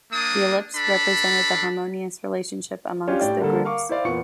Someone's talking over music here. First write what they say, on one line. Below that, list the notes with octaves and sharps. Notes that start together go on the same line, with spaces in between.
The ellipse represented the harmonious relationship amongst the groups.
A#3 D4 D#6
D4 A4 B5
C#4 D4 F4 G4 C#5
A2 G4 D5 G5
D3 G3 A#3 A4
A#4 F5 C#6 D6
E4 C5 D5 F5
E2 A#2 B3 C#6 C#7